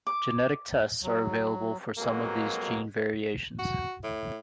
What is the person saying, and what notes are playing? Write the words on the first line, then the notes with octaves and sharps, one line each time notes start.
Genetic tests are available for some of these gene variations.
D6
F#3
F2 B2 F#3 G#3 A#3
F#4
A2